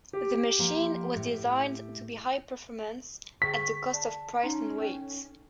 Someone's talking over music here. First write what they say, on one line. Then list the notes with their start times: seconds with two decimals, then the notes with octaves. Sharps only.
The machine was designed to be high-performance, at the cost of price and weight.
0.13 G4
0.59 F3 A#3 C5
1.16 A2
3.42 D3 G#4 G5 C#6 B6
3.93 D5 A5
4.43 C#4 D#4 A5 A#5
4.78 A4 G5